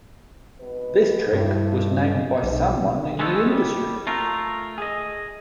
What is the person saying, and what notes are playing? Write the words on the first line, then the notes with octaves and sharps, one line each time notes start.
This trick was named by someone in the industry.
G#1 B2 B4
G2 D3 C4 E4
F#3 E4 D#5
B1 G#2
E3 G#3 A3 B3 A4
G3
A3 F4 A#4
G#4 D#5